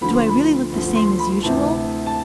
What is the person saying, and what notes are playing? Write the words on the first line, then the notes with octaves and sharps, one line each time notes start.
Do I really look the same as usual?
D2 D3 F3 B5
C6
B5
D2 D3 F3
C6
B5
D2 C3 E3 A5
A5